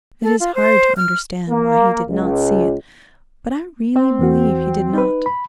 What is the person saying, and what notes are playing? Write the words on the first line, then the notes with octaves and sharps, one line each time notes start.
It is hard to understand why he did not see it, but I really believe he did not.
A4
F4
C5
F6
A#3
C#2
C4
E2 E3 F#4
D#4 B4
B5